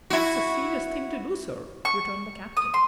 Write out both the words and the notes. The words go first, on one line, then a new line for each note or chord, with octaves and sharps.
"That's a serious thing to do, sir," returned the captain.
E4 F#4
C#6
D#6
C6